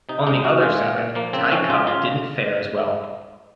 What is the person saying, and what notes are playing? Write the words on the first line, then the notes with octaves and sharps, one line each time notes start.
On the other side, Ty Cobb didn't fare as well.
C3 D#4
G#3 D#4
G#3 F#4
G#3 F4
A#2
A#2
F3 A#3
C#3 C4
F3 C#4
C#3 F4
C#3 F4